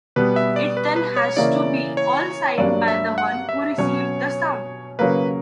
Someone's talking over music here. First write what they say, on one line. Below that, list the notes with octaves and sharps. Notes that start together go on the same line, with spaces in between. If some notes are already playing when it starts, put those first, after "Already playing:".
It then has to be all signed by the one who received the sum.
B2 G3 B3 B4
E5
D5
B4
B4
C#5
C#3 E3 A#3 C#4 E4 D5
C#5
G2 F#3 A#3 D4 D5
E5
F#5
E5
B2 F#3 C#4 C#5
C#3 F#3 A#3 B4